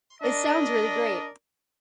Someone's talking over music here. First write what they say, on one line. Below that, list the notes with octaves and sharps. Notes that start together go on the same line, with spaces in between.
It sounds really great.
D4 A#4 D5 D#5